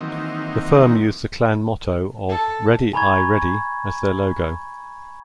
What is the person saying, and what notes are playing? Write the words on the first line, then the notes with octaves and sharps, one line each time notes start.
The firm used the clan motto of "Ready Aye Ready" as their logo.
D#3 E3 F#3 A#3 C4 D#4
A4
G#5 A#5 B5 C#6 G#6